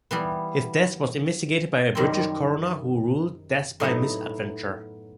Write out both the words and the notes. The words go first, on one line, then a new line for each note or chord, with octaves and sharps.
His death was investigated by a British coroner who ruled 'death by misadventure'.
E3 G3 B3
F#2 D#3 G3 C4
A2 F#3 B3 D#4